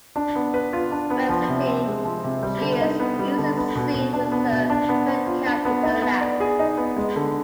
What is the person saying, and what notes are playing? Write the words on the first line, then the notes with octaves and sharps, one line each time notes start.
When sitting, she is usually seen with her pet cat in her lap.
D4
B3
B4
F4
D4
B3
F3
C3
C4
G#3
F3
C3
G3
D3
D#4
B3
G3
D3
B3
B2
B2
D4
B3
B2
D4
B3
C5
F4
D4
B3
D#4
B3
D5
G#4
D#4
B3
G#3
D3